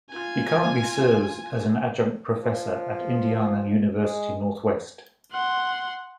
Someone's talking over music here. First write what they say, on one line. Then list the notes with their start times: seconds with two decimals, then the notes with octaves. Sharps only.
He currently serves as an adjunct professor at Indiana University-Northwest.
0.10 F4 G#5
2.43 F3
4.03 G#3
5.32 F#5 C6